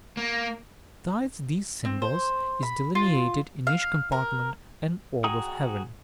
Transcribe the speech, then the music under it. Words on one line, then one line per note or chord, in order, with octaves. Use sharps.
Besides these symbols is delineated in each compartment an orb of heaven.
A#3
C4
C5
B5
F4
F5
A#4
F#4 G#4 G5 A#5 D#6